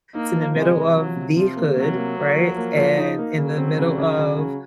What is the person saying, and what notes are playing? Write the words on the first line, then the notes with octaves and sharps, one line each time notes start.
it's in the middle of the hood, right? And, in the middle of
A#3 D#4
F3
C3 G#3
C3
F3 F#3
C3
C3 F3
A#3
C3 F#3
A#3
A#3
F3
A#3
F3
D#4
A#3
C#3 F#3
C4
C#3
C#3
C#3
C#3